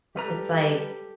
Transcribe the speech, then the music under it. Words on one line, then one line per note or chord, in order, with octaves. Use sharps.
It's, like,
G3 G4 A4 B4 A#5